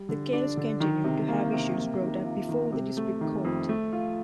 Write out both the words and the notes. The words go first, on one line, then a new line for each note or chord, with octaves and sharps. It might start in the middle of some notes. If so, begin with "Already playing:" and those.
The case continued to have issues brought up before the district court.
Already playing: G3
D3
D4
D3
D#3
C3
A#3
C3
A#3
D#3
F4
D#3
C3
A3
D#3
F2
A3
F4